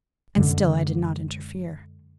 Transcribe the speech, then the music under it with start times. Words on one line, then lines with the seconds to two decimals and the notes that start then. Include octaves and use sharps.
And still I did not interfere.
0.36 F#2 D3 G#3